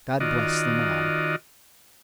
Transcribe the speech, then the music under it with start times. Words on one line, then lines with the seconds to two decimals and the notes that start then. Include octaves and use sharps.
God bless them all.
0.20 D#3 F4 F#4 D5 D#5